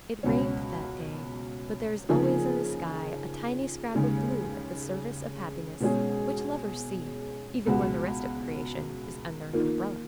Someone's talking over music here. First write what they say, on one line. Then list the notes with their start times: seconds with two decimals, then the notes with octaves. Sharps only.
It rained that day, but there is always in the sky a tiny scrap of blue at the service of happiness, which lovers see, even when the rest of creation is under an umbrella.
0.23 C#2 B2 F#3 C#4
2.09 C#3 F3 A#3 D#4 G#4
3.95 D#2 C#3 G#3
5.80 B2 G#3 C#4 G#4
7.67 C#2 B2 G#3 B3 F#4
9.53 D#3 A#3 F4